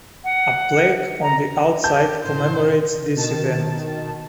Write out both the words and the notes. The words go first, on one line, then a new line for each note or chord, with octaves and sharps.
A plaque on the outside commemorates this event.
F#5
A#5
G4 A5 G6
A2 C3 C5
B2 D#3 A5